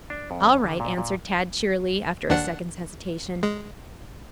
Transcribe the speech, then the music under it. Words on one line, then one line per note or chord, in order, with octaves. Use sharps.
"All right," answered Tad cheerily, after a second's hesitation.
D4
F2
D3
A#2
A#2
D#2 D4 F#5
G#3